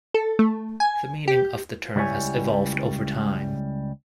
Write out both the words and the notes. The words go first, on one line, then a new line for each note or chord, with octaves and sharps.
The meaning of the term has evolved over time.
A4
A3
G#5
G4
C#2 G3 E4 C#5 G#5